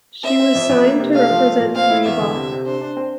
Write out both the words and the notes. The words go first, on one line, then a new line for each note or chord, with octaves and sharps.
She was signed to represent Reebok.
C4 E5
C4
F2
F2
A#3
C3
A3 F5
F3
A3
A#2
C4 F5
E4
E2 E5
D3
C3
C3
D4 C5
D4
C4